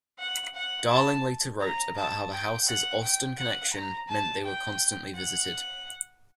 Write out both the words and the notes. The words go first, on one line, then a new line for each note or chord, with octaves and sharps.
Darling later wrote about how the house's Austen connection meant they were constantly visited.
F#5
F#5
A5
A#5
A5
G5
F#5
G5
F#5
A#5
A5
G5
F#5